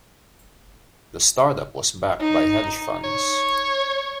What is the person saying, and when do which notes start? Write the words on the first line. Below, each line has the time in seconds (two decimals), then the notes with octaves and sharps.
The startup was backed by hedge funds.
2.20 D#4
3.04 C#5